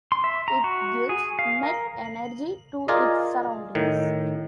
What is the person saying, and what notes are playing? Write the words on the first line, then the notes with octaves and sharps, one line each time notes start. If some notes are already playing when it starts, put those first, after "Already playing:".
It gives net energy to its surroundings.
C6
E5
A#5
F#4
G#4
F5
A#4
F4 G#4 A#4 D5 D#5
A2 D#3